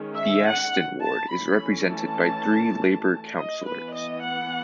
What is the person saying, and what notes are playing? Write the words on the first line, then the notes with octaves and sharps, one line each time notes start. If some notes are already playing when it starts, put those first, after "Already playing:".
The Aston ward is represented by three Labour councillors.
Already playing: D#3 G#3 C#4
E5
F#5
A5
E3 A3 C#4 B5
A5
D#5
E3 B3 B4
D#5
F#5